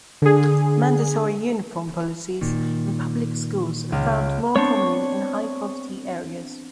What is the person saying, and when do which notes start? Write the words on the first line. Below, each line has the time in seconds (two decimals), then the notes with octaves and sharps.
Mandatory uniform policies in public schools are found more commonly in high-poverty areas.
0.22 D3 G#4
2.41 A#2 D#3
3.92 C#2 F6
4.56 B3 C4 D4 C#5 C#6